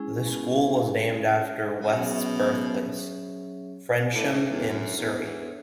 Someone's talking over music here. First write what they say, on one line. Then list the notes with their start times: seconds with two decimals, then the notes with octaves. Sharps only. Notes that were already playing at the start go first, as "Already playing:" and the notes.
The school was named after West's birthplace, Frensham in Surrey.
Already playing: G#3 C#4 E4 G#4
0.27 B2
1.81 C#3
1.92 B2 F#3 C#4 G#4 C#5 E5
4.13 A2 D4 A4 C#5 E5
4.32 G#2
4.51 E2
4.69 F#2
4.97 E2
5.24 E2